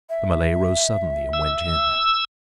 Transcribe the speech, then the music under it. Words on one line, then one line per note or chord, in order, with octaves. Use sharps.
The Malay rose suddenly and went in.
E5
E6